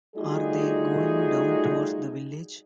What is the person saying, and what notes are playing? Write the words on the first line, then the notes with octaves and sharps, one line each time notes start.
Are they going down towards the village?
G3 A3 D#4 F4 F#4 G#4